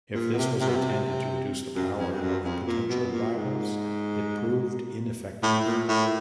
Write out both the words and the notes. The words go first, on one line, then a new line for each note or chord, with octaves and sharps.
If this was intended to reduce the power of potential rivals, it proved ineffective.
A#2
B2
C3
C3
B2
C3
F#2
F2
G2
F#2
F2
A#2
B2
A#2
G#2
A2
A#2
A2